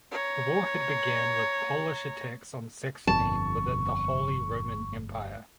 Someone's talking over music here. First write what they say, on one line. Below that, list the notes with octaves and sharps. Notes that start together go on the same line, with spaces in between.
The war had begun with Polish attacks on Saxony within the Holy Roman Empire.
C#5 A#5
G1 F2 A5 C#6